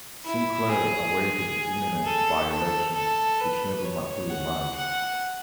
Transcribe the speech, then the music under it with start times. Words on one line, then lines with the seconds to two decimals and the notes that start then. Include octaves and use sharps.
Sinclair awaited the imminent by-election, which never materialised.
0.25 E4
0.70 G#4
2.05 A4
2.50 A4
2.95 A4
3.40 B4
3.85 C#5
4.30 F#5
4.75 F#5